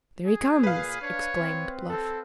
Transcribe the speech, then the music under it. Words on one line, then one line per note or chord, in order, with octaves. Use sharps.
"There he comes!" exclaimed Bluff.
G#4
A#2 B4 F5
D4 C#5
C4
C4 A4